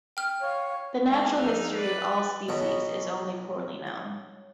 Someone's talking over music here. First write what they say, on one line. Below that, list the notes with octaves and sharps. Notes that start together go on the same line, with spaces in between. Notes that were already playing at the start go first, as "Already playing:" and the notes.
The natural history of all species is only poorly known.
G5 F6
C#5 F5
G#3 A#3 C4 D5 F5
F2 D#4 G#4 E6 F6
B4 D5 F#6
B1 B2 C#5